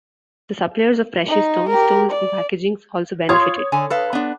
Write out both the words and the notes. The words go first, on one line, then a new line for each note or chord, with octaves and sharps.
The suppliers of precious stones, tools and packaging also benefited.
D#4
G4 A#4
D5
F4 C#5 D#6 G#6
D3 G#5
A4 B4 F5
B3 D4